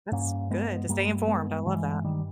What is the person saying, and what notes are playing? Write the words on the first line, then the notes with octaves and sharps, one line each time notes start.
That's good, to stay informed, I love that.
G2 A#3 C#4
G#3 B3
G2 G3 A#3
G#3 B3
G2 E3 G#3
D#3 G3